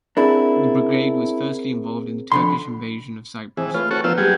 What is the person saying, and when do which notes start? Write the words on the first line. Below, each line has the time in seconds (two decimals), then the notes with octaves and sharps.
The brigade was firstly involved in the Turkish invasion of Cyprus.
0.17 C4 D4 E4 G#4 A#4
2.32 F2 D3 B5 C6
3.57 E3 C4 G#4
3.74 A3 F4 B4 C#5
3.91 C4 E4 F#4 A4 C#5 C#6
4.04 F3 B3 D4 F4 A#4 E6
4.18 F#3 G3 A#3 G4 G#4